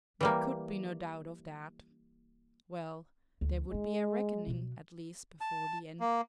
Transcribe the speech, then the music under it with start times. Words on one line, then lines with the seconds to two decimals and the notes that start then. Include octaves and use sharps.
There could be no doubt of that. Well, there would be a reckoning at least before the end!
0.21 E3 G3 A#3
3.41 D2
3.72 G#3 C#4 D#4
4.47 B2 F#3
5.41 A5
6.00 A#3